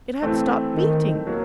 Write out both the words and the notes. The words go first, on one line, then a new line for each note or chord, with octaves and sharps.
It had stopped beating.
E3 A3 C4
D#3
F#3 A#3